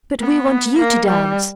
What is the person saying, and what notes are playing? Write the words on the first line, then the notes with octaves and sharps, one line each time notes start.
'But we want you to dance.'
B3
A#3
G3